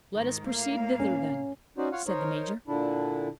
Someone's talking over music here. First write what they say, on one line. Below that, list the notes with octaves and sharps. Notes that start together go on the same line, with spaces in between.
"Let us proceed thither, then," said the major.
G#2 D#3
A2 A#3 F5
C#4
C#4 D#4 F#4 C5 D5
F4 C#5 F5 F#5
D#4 A#4 C5 C#5
A#2 D3 D4 E4